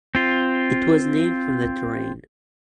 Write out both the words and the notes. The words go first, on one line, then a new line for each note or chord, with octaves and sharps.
It was named from the terrain.
C4 F4